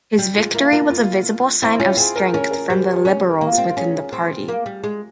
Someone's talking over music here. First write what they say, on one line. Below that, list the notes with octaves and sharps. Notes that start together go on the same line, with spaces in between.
His victory was a visible sign of strength from the liberals within the party.
G3
G#3 F4
A#3 E4
A#3 F4
F4
C4 E4
C#4 F4
C4 G#4
A#4
C#4 A#4
A#4
G3 C5
C#5
C#4
A#4
A#3
F4
C4
C#4 G#4
C4
A#3
G3
G#3